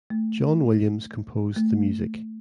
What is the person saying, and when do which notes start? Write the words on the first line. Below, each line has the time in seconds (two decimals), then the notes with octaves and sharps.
John Williams composed the music.
0.10 A3
1.56 A3